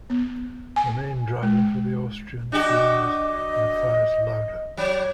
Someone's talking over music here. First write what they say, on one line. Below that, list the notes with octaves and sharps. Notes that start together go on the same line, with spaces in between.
The main driver for the Austrian team was Mathias Lauda.
B3
G#5
G#3
D4 F#4 G4 D#5
F#3 C#5